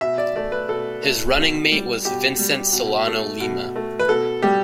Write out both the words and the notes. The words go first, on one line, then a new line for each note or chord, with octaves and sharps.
His running-mate was Vicente Solano Lima.
B2 E5
D5
A3 D5
B4
B2 A4
A3
B2
G3
B2 G4
G3
B2
A3
B2
A3
B4
B2 A4
G3 G4